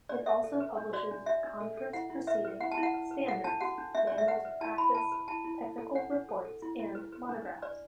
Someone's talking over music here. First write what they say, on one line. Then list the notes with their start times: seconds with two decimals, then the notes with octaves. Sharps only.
It also publishes conference proceedings, standards, manuals of practice, technical reports, and monographs.
0.09 D4 D5
0.26 A4 E5
0.44 A4
0.60 B4
0.77 D4
0.93 F#4 D5
1.11 D4
1.26 D4 E5
1.44 D4
1.60 A4
1.77 A4
1.93 E4 F#5
2.10 E4
2.27 B4 E5
2.45 B4
2.61 E4 F#5
2.71 A5
2.77 E4
2.83 F#5
2.94 B4
3.11 B4
3.28 A4 F#5
3.44 D4 A5
3.61 F#4 F#5
3.78 D4
3.95 D4 E5
4.07 D4 D5
4.18 E5
4.27 B4 F#5
4.45 B4
4.61 E4 A5
4.78 E4 B5
4.95 B4 A5
5.12 B4
5.28 E4 A5
5.44 E4
5.62 A4
5.78 A4
5.95 D4 F#5
6.11 D4
6.29 A4
6.45 A4
6.62 E4
6.79 E4
6.95 B4
7.12 B4
7.29 D4
7.45 D4
7.62 B4 D5